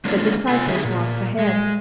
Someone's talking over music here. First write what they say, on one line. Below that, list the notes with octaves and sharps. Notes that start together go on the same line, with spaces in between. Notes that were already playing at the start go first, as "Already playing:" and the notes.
The disciples walked ahead.
G#3 A#3 C#4 D4 F4
C3 F4 G#5
D3 G3 B3 E4 G4 G#4
A#2
G#3